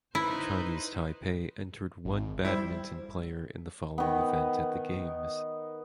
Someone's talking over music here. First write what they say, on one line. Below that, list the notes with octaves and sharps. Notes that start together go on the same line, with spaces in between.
Chinese Taipei entered one badminton player in the following event at the Games.
D#4 E4 B4 C5
G#1
G3 E4 C5
D#3 B3